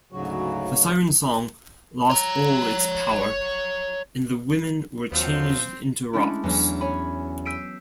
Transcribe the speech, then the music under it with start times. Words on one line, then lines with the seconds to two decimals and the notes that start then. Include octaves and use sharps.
The Sirens' song lost all its power, and the women were changed into rocks.
0.12 D2 G#2 C#3 F#3 F#4
2.10 C#5 A#5
5.12 D#2 F3 F#3 C4
6.13 G#3 A3 C#4 D4 E4
6.43 E2 F#3 C#4
6.81 C#5 G#5 B5
7.45 E6 G6 B6 C7 D7 D#7